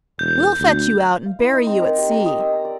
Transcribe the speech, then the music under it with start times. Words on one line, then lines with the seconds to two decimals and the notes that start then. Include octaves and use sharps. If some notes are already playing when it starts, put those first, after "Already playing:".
"We'll fetch you out and bury you at sea."
0.19 E1 G6
0.60 D2
1.25 F5
1.39 E4
1.53 D#4
1.67 C4
1.81 A#4
1.98 G4
2.11 A#5
2.26 D#5
2.40 E6
2.52 A#5
2.65 D5